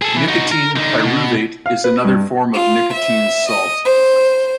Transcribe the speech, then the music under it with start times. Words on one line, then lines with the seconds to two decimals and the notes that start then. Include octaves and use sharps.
Nicotine pyruvate is another form of nicotine salt.
0.02 G#4 A4
0.16 E3
0.28 D#4 F#4
0.52 A#4
0.76 D3 D#4
1.04 B2
1.66 F5
1.84 B4
2.05 G2
2.54 F4
2.94 E5
3.49 D#5
3.85 C5